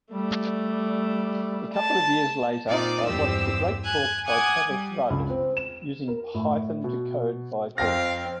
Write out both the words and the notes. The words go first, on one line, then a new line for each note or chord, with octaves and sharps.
A couple years later I watched a great talk by Tavis Rudd, Using Python to Code by Voice.
G3 A3 D5
A5
A#2 C4 D#4 F4 D5 D6
E2 G2 C4 G4 E6
G#5 F#6 G#6
F#5 G#5 D6 D#6 F#6 G#6
G3
C#2
C4
E7
A#4
A2
B2
F2 C4 F5 G5 A#6